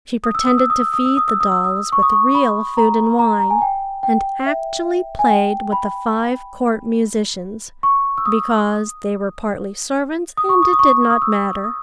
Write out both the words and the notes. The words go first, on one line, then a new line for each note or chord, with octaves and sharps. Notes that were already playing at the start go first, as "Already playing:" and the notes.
She pretended to feed the dolls with real food and wine, and actually played with the five court musicians, because they were partly servants and it did not matter.
D#6
E6
D#6
E6
D#6
E6
D#6
E6
D#6
E6
D#6
E6
D#6
C#6
D#6
C#6
B5
A#5
A#5
A#5
G#5
G5
G5
E5
G#5
G5
B5
C#6
E6
D#6
D#6
C#6
D#6
D#6
C#6
D#6
E6
D#6